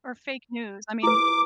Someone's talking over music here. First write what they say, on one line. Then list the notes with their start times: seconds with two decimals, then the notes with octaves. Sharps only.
Or fake news, I mean,
1.03 E4 B4 D6